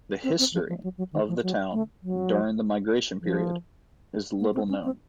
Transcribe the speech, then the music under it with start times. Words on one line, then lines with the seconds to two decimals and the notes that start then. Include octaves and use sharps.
The history of the town during the Migration Period is little known.
0.24 C4
0.39 C4
0.54 F3
0.69 F3
0.83 F#3
0.98 F#3
1.13 D#3
1.28 F3
1.43 F#3
1.73 A3
2.03 F#3
3.21 F3
4.40 A#3
4.54 C4
4.69 C#4
4.84 C4